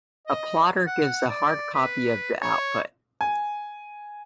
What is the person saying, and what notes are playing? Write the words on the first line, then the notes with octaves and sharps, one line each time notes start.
A plotter gives a hard copy of the output.
D#5
F#5
D5
B4
C#5
G#5